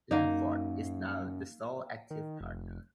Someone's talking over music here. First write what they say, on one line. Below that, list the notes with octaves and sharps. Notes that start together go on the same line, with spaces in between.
Langford is now the sole active partner.
F#2 A#3 D#4
D#3
F1